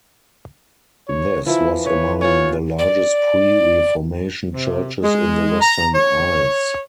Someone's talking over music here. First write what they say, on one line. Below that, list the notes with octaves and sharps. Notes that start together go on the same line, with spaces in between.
This was among the largest pre-Reformation Churches in the Western Isles.
C#5
E3 F3 E4
B4 C#5
F4 C#5 F#5 G#5
D5
C3
G#3
A#5
C#5